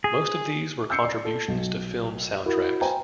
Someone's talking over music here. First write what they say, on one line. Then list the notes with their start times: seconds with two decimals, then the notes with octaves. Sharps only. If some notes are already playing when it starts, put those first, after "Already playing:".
Most of these were contributions to film soundtracks.
0.04 G#4
0.90 E6 G6 C7 C#7
1.05 D5
1.25 A4
1.48 B1
2.46 E4 F#4 A#4
2.81 B4 C5 G5 G#5 A#5